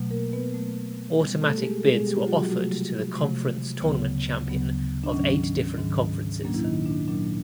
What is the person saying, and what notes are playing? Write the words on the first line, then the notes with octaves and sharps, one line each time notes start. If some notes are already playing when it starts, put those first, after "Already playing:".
Automatic bids were offered to the conference tournament champion of eight different conferences.
Already playing: B2 F#3 A3
A#3 A#4
B3 B4
B2 F#3 A3
B2 G3 B3
A3 A4
G4
G#3 G#4
A4
B2 G3 G#3 B3 G#4
G3 G4
F4
F#3 F#4
C3 F3 F#3 A3 F#4
C3 F3 A3
D2 C#3 F#3 B3
D2 C#3 F#3 B3
D4
G#2 D#3 F#3 C#4
G#2 D#3 F#3
A#2 F#3 A#3 C#4 D4
E4
D#3 D#4
D4
A#2 F#3 A#3 C#4 D4